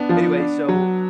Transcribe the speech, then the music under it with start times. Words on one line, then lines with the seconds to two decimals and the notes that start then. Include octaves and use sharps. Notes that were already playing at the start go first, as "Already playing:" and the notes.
anyway, so,
Already playing: B3 D4
0.09 F3
0.40 D4
0.68 F#3